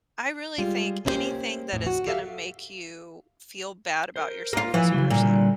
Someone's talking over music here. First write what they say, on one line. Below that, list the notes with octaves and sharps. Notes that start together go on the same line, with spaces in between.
I really think anything that is gonna make you feel bad about yourself as a person.
G3 G#3 F4
A#3 C#4 D#4 E4 G4 C5
F2 A2
F#4
G4 A4 E5 F5
A#4 C5
A#3 F4
E3 F3 F#5 G#5
C#3 F3 F#3
A#2 D3 G3 A4